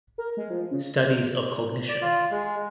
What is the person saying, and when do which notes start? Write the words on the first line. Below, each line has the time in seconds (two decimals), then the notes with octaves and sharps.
Studies of cognition.
0.18 A#4
0.37 G#3
0.50 F3
0.71 C#3
1.89 D5
2.02 F4
2.31 G#3